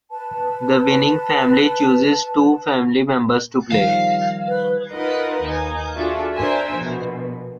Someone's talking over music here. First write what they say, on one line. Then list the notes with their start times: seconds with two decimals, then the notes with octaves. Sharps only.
The winning family chooses two family members to play.
0.11 B4 A5
3.72 D#3 F3 G3 F5
4.48 B4
4.93 D#4 F4 A#4 B4 D#5 F#5
5.42 D#2 D#4 G#5
5.96 D4 F4 F#4 G#4 A4 E5
6.36 D4 A#4 C5 E5 G#5
6.75 A#1 B2